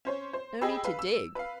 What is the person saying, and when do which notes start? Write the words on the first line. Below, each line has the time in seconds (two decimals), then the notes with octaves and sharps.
No need to dig.
0.05 C#4 C5 C#5
0.33 C5
0.61 G4 G#4 D#5 G5 B5 E6
0.85 B4 F5
0.99 E6
1.35 B4 F5